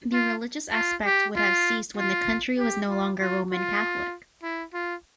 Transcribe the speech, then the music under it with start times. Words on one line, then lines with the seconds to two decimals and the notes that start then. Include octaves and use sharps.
The religious aspect would have ceased when the country was no longer Roman Catholic.
0.13 F4
0.74 F4
1.05 G4
1.36 F4
1.97 F4
2.59 G4
2.89 F4
3.19 F4
3.51 F4
4.43 E4
4.74 F4